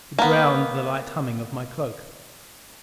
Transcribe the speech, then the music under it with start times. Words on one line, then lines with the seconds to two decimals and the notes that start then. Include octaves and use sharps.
It drowned the light humming of my cloak.
0.18 A#3 B3